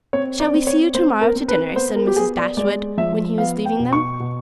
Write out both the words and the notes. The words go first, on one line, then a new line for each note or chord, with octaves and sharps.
"Shall we see you tomorrow to dinner?" said Mrs. Dashwood, when he was leaving them.
C4 C#5
D5
C4
C#5
C4 C5
A#4
C4
B4
B3 C5
A#4
G4
B3 G#4
D5
G#3 D5
F3 E5
B3 F5
G5
B2
C#6
B2